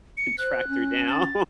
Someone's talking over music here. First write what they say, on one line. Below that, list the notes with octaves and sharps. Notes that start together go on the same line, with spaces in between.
tracked her down
C#7
C5 F#6
C#4
A6